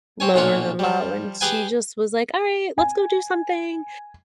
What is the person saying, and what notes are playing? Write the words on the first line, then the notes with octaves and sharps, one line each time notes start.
lower than low, and she just was like, "Alright, let's go do something."
C4 C#5 G#5
B1 A#2 F4 F#4 C#5
F3 G3
G4 G#4 B4 G5 G#5
G#5